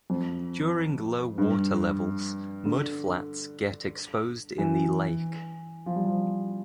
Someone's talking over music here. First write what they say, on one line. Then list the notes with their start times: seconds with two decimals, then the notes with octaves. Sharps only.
During low water levels mudflats get exposed in the lake.
0.10 F2
1.38 G2
2.66 D3
4.58 E3
5.86 F3
5.96 G3
6.07 F3